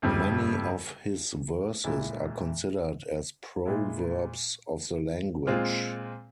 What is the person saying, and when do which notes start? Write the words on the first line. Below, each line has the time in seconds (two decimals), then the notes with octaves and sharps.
Many of his verses are considered as proverbs of the language.
0.02 G1 F2 C#3 G3
1.84 C2 A#2 G#3 E4
3.66 A#2 G#3 E4
5.47 A#2 G#3 C4 F4